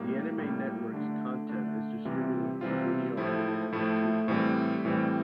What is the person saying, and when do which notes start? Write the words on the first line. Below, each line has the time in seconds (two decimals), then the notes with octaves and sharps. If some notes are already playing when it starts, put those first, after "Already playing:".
The Anime Network's content is distributed through Video On Demand in two formats.
Already playing: A2 G3 A#3
0.37 A2 G3 A#3
0.93 D3 A3 D4
1.49 D3 A3 D4
2.05 C3 E3 G3 C4 F4
2.61 C3 E3 G3 C4 F4
3.17 A2 F3 A3 E4
3.72 A2 F3 A3 E4
4.28 A2 E3 G3 C4
4.85 A2 E3 G3 C4